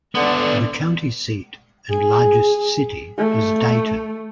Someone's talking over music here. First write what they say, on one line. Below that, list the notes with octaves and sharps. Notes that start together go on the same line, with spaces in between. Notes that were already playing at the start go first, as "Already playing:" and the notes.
The county seat and largest city is Dayton.
D3 B3 D4
G#4
A3